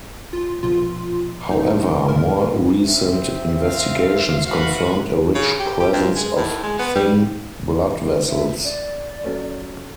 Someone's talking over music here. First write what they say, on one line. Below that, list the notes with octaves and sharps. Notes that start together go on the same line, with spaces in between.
However, more recent investigations confirmed a rich presence of thin blood vessels.
F4
A#1 B2 F3 F4
A#1 F#2 C#3 D#4
G#2 D#3 A#4
C4 E5
F5
F#4 B4
C#3
G4
G4
F2
G#3
A2
G#3
B3
G3
E5
D5
F#3 A3 C#4